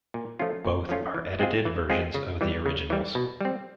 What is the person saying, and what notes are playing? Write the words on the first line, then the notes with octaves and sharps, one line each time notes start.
Both are edited versions of the originals.
A#2
F3 A3 C#4 F4
A#2
F3 A3 C#4 F4
E3
G#3 C4 F4 G#4
E3
G#3 C4 F4 G#4
C#3
E3 G3
C#3
E3 G3
B2
G3 C4